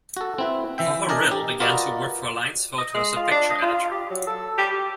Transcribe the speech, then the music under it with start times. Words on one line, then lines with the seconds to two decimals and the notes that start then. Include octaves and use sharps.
Pohorylle began to work for Alliance Photo as a picture editor.
0.17 F#4 A4
0.38 C4 E4 B4
0.78 E3 E5 G5
1.09 D4 A#4 D5 D#5 G#5
1.31 G4
1.60 F4 F#4 A#4 B4 D5 D#5
2.79 D#5
2.95 G#3
3.16 F4
3.32 D4
3.51 D#5
3.62 F4
3.92 G4
4.10 F#3
4.27 A4
4.58 G4
4.71 G4